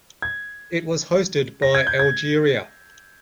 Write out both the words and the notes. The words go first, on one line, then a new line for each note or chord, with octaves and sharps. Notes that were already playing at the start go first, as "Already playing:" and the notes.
It was hosted by Algeria.
G#6
A#6
G#6
G6
G#6